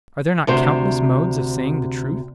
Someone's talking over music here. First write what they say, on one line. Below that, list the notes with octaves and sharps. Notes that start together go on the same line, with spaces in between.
Are there not countless modes of saying the truth?
D2 C3 C5